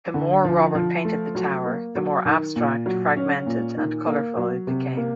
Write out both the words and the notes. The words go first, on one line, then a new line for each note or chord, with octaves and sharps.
The more Robert painted the tower, the more abstract, fragmented and colorful it became.
D3
F3
F3
A3
F#3
A#3
F#3
D#3
A#2
F#3
C#4
A#2
D#3
A#3
F#3
C3
A#3